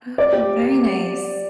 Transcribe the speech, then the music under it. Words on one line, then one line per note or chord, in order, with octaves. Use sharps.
Oh, very nice.
D5
G4